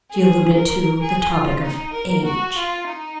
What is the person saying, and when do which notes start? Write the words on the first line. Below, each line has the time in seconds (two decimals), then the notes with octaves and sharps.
She alluded to the topic of age.
0.10 G#4
0.56 A#4
1.02 G#4
1.32 F4
1.63 D#4
1.94 A#4
2.25 F#4
2.56 F4
2.87 D#4